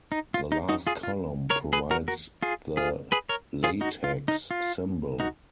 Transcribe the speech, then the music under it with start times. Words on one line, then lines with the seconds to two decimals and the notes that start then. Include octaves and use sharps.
The last column provides the LaTeX symbol.
0.12 D#4
0.34 F4
0.52 D#4
0.69 D#4 F#4
0.87 F4 G#4
1.03 F4
1.50 A#4 C#5
1.73 G#4 B4
1.91 F#4 A#4
2.08 F#4 A#4
2.43 F4 G#4
2.77 F4 G#4
3.12 G#4 B4
3.29 A#4 C#5
3.64 F4 G#4
3.81 D#4 F#4
4.04 F4
4.28 D#4
4.51 F4
5.20 D#4 F#4